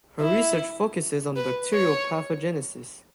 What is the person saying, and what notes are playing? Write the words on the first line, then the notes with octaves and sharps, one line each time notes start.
Her research focuses on bacterial pathogenesis.
E4
B4
C#5